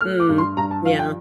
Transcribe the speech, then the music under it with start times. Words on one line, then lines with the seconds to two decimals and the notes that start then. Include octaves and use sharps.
Mm. Yeah.
0.01 A3 F6
0.20 D6
0.29 G2
0.38 C6
0.57 G2 A#5
0.71 A5
0.85 F3 F5
0.99 G5